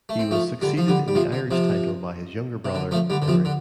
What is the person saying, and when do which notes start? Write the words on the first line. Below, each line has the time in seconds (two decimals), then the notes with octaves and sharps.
He was succeeded in the Irish title by his younger brother, Henry.
0.09 A3
0.19 C4
0.31 F3 A3
0.61 D3 G3
0.77 F3
0.88 D3 G3
1.08 G3
1.15 C3 F3
1.32 D3
1.51 C3 F3
2.65 C3
2.75 D3
2.91 F3 A3
3.10 D3 G3
3.22 D3
3.28 C3 F3
3.45 D3